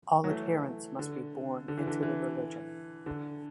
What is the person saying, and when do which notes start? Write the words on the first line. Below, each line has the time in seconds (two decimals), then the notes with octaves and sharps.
All adherents must be born into the religion.
0.24 F#3
0.29 E3 A3
0.99 D3
1.68 D3
1.78 E3
1.87 D3
2.03 E3
3.06 D3